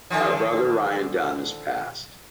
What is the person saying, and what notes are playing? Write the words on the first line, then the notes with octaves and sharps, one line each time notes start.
Our brother Ryan Dunn has passed.
D3 D#3 F3